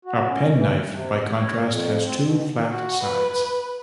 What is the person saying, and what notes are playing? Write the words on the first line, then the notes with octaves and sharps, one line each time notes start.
A "pen" knife by contrast has two flat sides.
F#4
C#4
E3
D#2
C3
E2
C#5
F2
C4
B2
F#4
B4